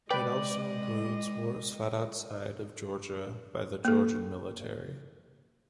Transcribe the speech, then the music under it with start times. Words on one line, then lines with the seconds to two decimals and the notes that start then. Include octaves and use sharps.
It also includes wars fought outside of Georgia by Georgian military.
0.10 G#3 B4 D5 D#5 G5
3.85 A#3 A4